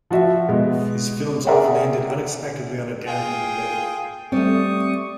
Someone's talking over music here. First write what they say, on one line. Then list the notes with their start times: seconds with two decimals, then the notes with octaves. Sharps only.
His films often ended unexpectedly on a downbeat note.
0.11 F3 F#4 E5
0.48 B2 G#3
1.47 G#4 A#4 D5 E5 F#5 G5
3.07 F4 G#4 G5
4.32 G3 A3 C4 C#6 D#6